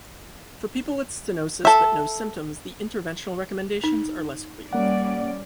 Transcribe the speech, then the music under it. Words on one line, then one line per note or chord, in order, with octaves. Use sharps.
For people with stenosis but no symptoms, the interventional recommendations are less clear.
A4 E5
D#4
G3 A#3 C#4 D5 F#5